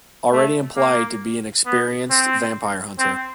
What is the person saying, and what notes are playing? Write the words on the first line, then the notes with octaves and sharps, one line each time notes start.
Already implied to be an experienced vampire hunter.
A3
A#3
B3
C4
C4